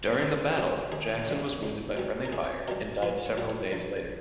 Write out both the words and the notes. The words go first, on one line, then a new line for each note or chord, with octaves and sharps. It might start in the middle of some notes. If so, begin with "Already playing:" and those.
During the battle, Jackson was wounded by friendly fire and died several days later.
D#2 B4
C#3 G3 G4
D#2 G#4
C#3 G3
C#2
B2 G3
A#4
C#2 G#4
B2 G3 A#4
A#1 B4
C#5
A#2 G3
C#5
A#1